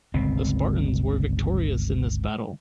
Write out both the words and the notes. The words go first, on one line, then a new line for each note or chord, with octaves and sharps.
The Spartans were victorious in this battle.
G1 C#2 B2 C4